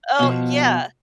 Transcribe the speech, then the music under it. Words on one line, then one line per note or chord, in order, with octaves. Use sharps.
Oh, yeah.
B2 F3